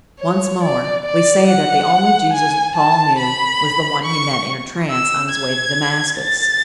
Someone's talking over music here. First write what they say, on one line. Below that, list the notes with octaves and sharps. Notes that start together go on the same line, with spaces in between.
Once more; we say that the only Jesus Paul knew was the one he met in a trance on his way to Damascus.
C#5
D5
D5
F#5
G#5
A5
B5
C#6
E6
G#6
A6